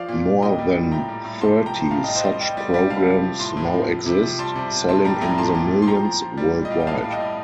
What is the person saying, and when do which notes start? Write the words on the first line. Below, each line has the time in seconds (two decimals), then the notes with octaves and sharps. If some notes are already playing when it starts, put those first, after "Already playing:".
More than thirty such programs now exist, selling in the millions worldwide.
Already playing: F3 D5 F5
0.09 A#2
0.25 A#2
0.42 A#2 D#5 G5
0.59 G3
0.75 A#2
0.92 A2 G5 A#5
1.08 G3
1.25 A2
1.41 C3 A5 C6
1.58 F3
1.66 G5 A#5
1.74 F3
1.91 A2 F5 A5
2.04 G3 D#5 G5
2.15 C5 D#5
2.23 G3
2.40 G3 D#5 G5
2.57 G3
2.74 G3
2.90 C3 F5 A5
3.07 F3
3.24 F3
3.39 A2 A5 C6
3.57 A2
3.73 F3
3.89 F3
4.06 C3
4.23 F3
4.39 G3 A5 C6
4.55 C3
4.72 C3
4.89 A2 A5 C6
5.05 G3 G5 A#5
5.21 A2 G5 A#5
5.38 A#2 A5 C6
5.55 A#2
5.71 F3
5.82 C6
5.88 F3 G5 A#5
6.04 F3
6.21 F3
6.37 G3
6.54 A#2
6.65 D#5
6.70 G3 F5
6.80 G5
6.87 A2 F5 A5
7.04 G3
7.12 D#5 G5
7.20 A2